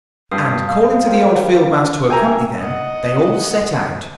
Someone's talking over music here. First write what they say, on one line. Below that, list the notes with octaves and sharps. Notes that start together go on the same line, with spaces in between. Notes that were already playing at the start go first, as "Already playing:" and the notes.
And calling to the old field-mouse to accompany them, they all set out.
G2 D#6 C7
F5
A#4 C5 G5
A#4 E5 G5 G#5 A#5 E6 G#6
D#5 F#5